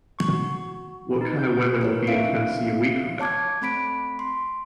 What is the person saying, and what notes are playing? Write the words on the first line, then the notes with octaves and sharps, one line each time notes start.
What kind of weather will be in Tennessee a week from now ?
C#6
F#4
D#4
G6
A#4 B4 C#5
A3 C4 D4 E5 F5 D7
C#5 A5 D6 G#6
A3 C4 B5 B6 D7
C6